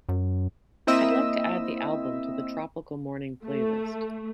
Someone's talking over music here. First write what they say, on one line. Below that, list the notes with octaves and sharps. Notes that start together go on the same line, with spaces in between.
I'd like to add the album to the Tropical Morning playlist.
F#2
A#3 C4 E4 D#5 E5 E6
A3